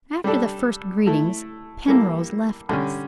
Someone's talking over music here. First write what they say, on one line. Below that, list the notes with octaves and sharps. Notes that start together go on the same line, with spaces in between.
After the first greetings Penrose left us.
G3 D4 A4
A3 E4 A4
G3 A#3 E4 A4
D3 G3 C#4